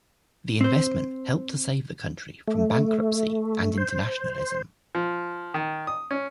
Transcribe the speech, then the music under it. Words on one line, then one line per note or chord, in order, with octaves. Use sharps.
The investment helped to save the country from bankruptcy and internationalism.
C4 C5
A3
C5
F3
D#3
D#6
C#4